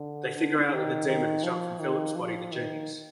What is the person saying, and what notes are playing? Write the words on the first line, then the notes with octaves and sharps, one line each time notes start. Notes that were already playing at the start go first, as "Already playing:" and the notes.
They figure out that the demon has jumped from Phillip's body to Jenny's.
Already playing: D3
D3
D#3
D#3
F3
D#3
F3
D#3